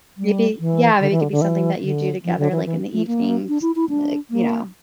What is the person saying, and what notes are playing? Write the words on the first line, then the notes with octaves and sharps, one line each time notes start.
maybe Yeah, maybe it could be something that you do together, like, in the evenings, like, you know,
G3
E3
D3
E3
D3
D3
E3
D3
F3
D3
E3
E3
A3
A#3
D4
E4
E4
D4
A#3